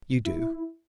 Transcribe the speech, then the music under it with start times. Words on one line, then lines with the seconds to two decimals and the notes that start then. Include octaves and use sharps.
You do.
0.25 E4